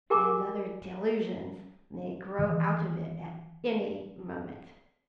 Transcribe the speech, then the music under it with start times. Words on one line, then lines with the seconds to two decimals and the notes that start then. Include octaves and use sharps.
"And other delusions may grow out of it at any moment."
0.10 G4 G#4 A#4 G#5 A#5 D6
2.39 D#3 E3